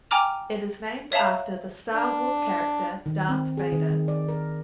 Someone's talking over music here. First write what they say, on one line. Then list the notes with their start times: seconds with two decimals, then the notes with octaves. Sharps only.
It is named after the "Star Wars" character Darth Vader.
0.11 G5 G#5 A#5 D6 F6 F7
1.12 C#5 E5 F5 A5 A#5
1.93 D4
3.06 D#3
3.29 C4
3.57 G#4
3.72 D#3
3.89 D#3
4.08 D5
4.28 A#4